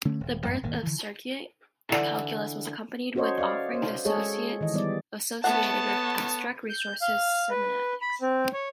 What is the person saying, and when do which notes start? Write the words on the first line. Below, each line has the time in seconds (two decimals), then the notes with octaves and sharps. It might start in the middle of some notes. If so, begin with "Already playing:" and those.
The birth of cirquent calculus was accompanied with offering the associated "abstract resource semantics".
0.05 D3 A3 C#4
0.20 D#1
0.45 A1 F#2 A#3
0.63 D#1 G#1 D#3 A#3
0.83 D3 E3
1.90 D3 E3
3.15 C#4 F#4 A4 C5 C#5 D#5
3.38 D5 D#5 F5
3.74 C5
4.05 G#3 G#4 A4 C#5 D#5
4.61 D#3 E3 D#5
4.74 G3 B3 D5
5.44 A3 B3 C#5 F#5 A5
6.70 G6
7.02 F5
7.50 B4
8.01 B5
8.22 C4
8.53 C#5